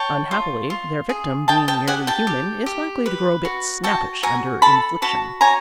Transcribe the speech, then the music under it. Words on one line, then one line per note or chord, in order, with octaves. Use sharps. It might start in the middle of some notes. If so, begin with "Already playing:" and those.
Unhappily, their victim being merely human, is likely to grow a bit snappish under infliction.
Already playing: C#5 G5 A5
F4
F4
G#4
D#5 G5 A5
G5 A5
G4 F#5 G#5
G5 A5
G4
G4
B4
F#4
F#4 G5 A5
F#4 G#5 A#5
A4 A5 B5
F#4 A5 B5
C#5 G#5 A#5